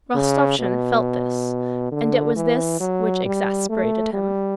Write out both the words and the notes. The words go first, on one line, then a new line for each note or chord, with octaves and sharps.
Rostopchin felt this, and it was this which exasperated him.
C#3
B2
D3
E3
F#3
G3
A3
G3